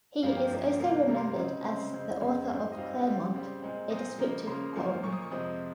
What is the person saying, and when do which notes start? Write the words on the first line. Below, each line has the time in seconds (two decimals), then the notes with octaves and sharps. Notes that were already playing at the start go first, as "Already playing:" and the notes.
He is also remembered as the author of "Claremont", a descriptive poem.
0.22 G2 F3 A#3 F5
0.37 G5
0.51 G2 F3 A#3
0.79 C3 G3 A#3
1.08 C3 G3 A#3 A#5
1.16 C6
1.24 A#5
1.36 C#3 G#3 C4
1.64 C#3 G#3 C4 C6
1.93 F2 C#3 G#3 C4
2.21 F2 C#3 G#3 C4
2.49 G#2 G3 C4
2.72 D#5
2.77 G#2 G3 C4 F5
3.06 C#3 G3 C4
3.34 C#3 G3 C4
3.62 A#2 G#3 C4
3.90 A#2 G#3 C4 D#5
4.18 C#3 F3 A#3
4.47 C#3 F3 A#3 C6
4.75 A#2 F3 A#3
5.03 A#2 F3 A#3 C#6
5.12 D#6
5.22 C#6
5.31 F2 C3 F3 G#3 C4 D#6